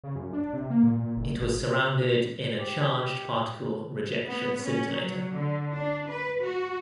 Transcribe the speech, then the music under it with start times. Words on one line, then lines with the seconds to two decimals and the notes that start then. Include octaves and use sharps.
It was surrounded in a charged particle rejection scintillator.
0.04 C#3
0.16 F#2
0.33 D4
0.53 C3
0.70 A#3
0.83 A#2
1.00 A#2
1.17 F#1
1.37 G#1
2.59 G4
4.27 B3
4.63 C#4
4.93 F#3
5.34 D3
5.73 D4
6.08 B4
6.43 F#4